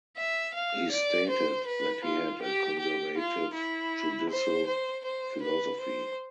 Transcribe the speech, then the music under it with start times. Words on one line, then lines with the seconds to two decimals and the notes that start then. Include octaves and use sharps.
He stated that he had a conservative judicial philosophy.
0.17 E5
0.54 F5
0.92 D5
1.30 C5
1.67 B4
2.04 F4
2.42 G4
2.79 G4
3.17 F4
3.54 E4
4.30 C5
4.67 C5
5.05 C5
5.42 B4
5.80 C5